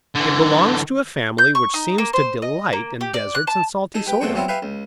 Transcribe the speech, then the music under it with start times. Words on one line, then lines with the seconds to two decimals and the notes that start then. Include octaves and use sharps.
It belongs to a family which seems to delight in deserts and salty soil!
0.16 D3 E3
1.38 G6
1.55 C#6
1.74 D#4
1.98 A#3
2.13 C5
2.42 D#5
2.73 A#3
3.01 G4
3.14 D5
3.35 F#6
3.47 A5
3.94 D#4 G#4 A4
4.06 G4 B4 G5
4.21 B2 A3 C4 G#4 G5 C#6
4.35 F#3 G3 B3 C4 E4 F4
4.48 G4 B4 E5 F5 G#5
4.62 C#2